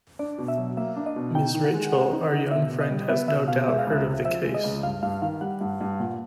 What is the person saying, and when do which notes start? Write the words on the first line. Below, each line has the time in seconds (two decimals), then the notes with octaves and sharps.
Mrs. Rachael, our young friend has no doubt heard of the case.
0.19 D4 D5
0.38 B2
0.48 E5
0.58 F#3
0.77 A#3 E5
0.96 D4
1.06 D#5
1.16 B2
1.35 D#4 G5
1.54 D#3
1.64 F#5
1.74 G#3
1.93 C4
2.13 D#4
2.32 D#3
2.51 B2 E5
2.70 B2
2.80 D#5
2.90 G3
3.09 B3 E5
3.28 B2 E5
3.48 B2 F5
3.67 G#3 E5
3.79 F5
3.87 C#2 E5
4.06 C3
4.25 F3 E5
4.45 G#3
4.54 D#5
4.64 C#2
4.83 G2 F5
5.02 G2 F5
5.22 D#3 F5
5.41 G3 F#5
5.61 G2
5.81 G2
5.99 A#2